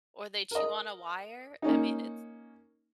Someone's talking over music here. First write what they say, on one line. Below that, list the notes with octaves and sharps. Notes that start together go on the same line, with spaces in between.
or they chew on a wire. I mean, it's
A#4 D#5
A#3 C#4 D#4